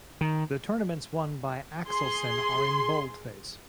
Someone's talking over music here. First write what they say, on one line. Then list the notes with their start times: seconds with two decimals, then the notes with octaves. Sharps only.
The tournaments won by Axelsen are in boldface.
0.21 D#3
1.88 G#4 C6